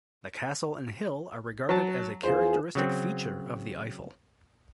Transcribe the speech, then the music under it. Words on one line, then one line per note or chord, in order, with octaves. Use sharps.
The castle and hill are regarded as a characteristic feature of the Eifel.
F#3 A5
E2 F4 G#4 C5
C#3 F#3 C4